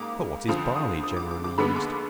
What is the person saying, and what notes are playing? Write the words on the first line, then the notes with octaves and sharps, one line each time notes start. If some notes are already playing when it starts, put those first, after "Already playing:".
For what is Barley generally used?
Already playing: G#2 A#3 D6 D#6
F2 D3 F3 D#6
D#6
D#6
D6
D6
D6
D#2 D3 G#3 B3 B5
D6